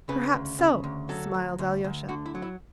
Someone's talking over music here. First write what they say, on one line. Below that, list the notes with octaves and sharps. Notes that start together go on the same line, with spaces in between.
"Perhaps so," smiled Alyosha.
C#3 B4
D2
C#3
D2
F#3 A4
D2
D2
D2
D3 F#4
E4
F#3
E4